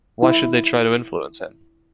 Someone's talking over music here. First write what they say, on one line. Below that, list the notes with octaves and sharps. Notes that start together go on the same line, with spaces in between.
Why should they try to influence him?
E4 E5